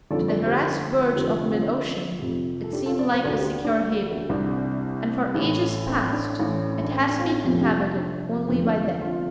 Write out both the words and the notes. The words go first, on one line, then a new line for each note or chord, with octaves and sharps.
To the harassed birds of mid-ocean, it seemed like a secure haven, and for ages past it has been inhabited only by them.
G1 F2 D3 A4 D5
A4 D5
G4 C5
F1 F2 D3 G4 C5
C4
C4 F4
D4
F1 F2 C3
A4
D4 G4
F4 A4
A4 D5
C5 F5
D2 D3 A4 D5
G4 C5
D4
C2 C3 D4
A1 A2
C4
D4
A1 A2
D4
C4
D4
C4 F4
F1 F2 C3 D4 G4
D4 G4
C4 F4
D4
F1 F2 D3 C4
D4
D4
C4 F4